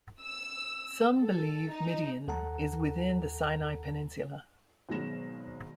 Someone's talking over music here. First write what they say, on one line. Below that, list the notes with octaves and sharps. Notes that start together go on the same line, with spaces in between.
Some believe Midian is within the Sinai Peninsula.
E6
A4
D#4
D#2 A4 F#5 A5 A#5
G#1 B2 F#3 G#3 A#6 E7